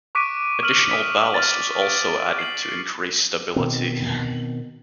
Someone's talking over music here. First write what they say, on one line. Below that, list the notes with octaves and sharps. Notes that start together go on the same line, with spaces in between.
Additional ballast was also added to increase stability.
C#6 D6 F#6 B6 D7 D#7
D#6 F6 D#7 F#7
D#6 B6
F6 A6
D7
C7 F#7
B2 D#3 C4